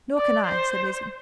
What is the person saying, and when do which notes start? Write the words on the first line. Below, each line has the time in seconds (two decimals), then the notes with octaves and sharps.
"Nor can I," said Lizzie.
0.17 D5
0.46 C5